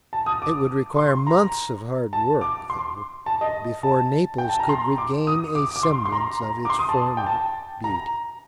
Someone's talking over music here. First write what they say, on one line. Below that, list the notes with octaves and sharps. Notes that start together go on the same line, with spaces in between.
It would require months of hard work, though, before Naples could regain a semblance of its former beauty.
A5
D#6
D6
C6
A#5
A5
D6
C6
A5
D#5
A5
G5
A5
A#5
C6
D6
D#6
D6
D6
C6
C6
A#5
A#5
D6
C6
D#6
A5
G5
A5
A#5